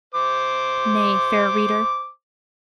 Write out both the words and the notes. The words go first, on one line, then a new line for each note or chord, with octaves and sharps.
Nay, fair reader.
C5 D6